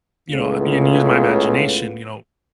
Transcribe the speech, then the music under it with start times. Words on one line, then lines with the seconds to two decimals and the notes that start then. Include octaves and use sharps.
you know, and use my imagination, you know?
0.32 C#2 A2 C#3 B3 F4